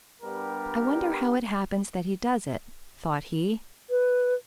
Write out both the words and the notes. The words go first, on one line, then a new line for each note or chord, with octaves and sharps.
"I wonder how it happens that he does it," thought he.
G2 G3 B3 D4 G4 A#4
B4